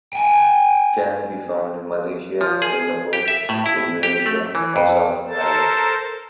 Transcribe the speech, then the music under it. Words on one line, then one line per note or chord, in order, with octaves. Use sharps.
It can be found in Malaysia, Singapore, Indonesia and Southern Thailand.
G5 G#5
F3
G#4
G4
E5
A2
E4
G4
A3
E3
F2
A4 A#4 C5 A5